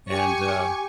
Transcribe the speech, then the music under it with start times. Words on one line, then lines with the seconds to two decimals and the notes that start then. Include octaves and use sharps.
And, uh
0.11 G4 G#5 C#6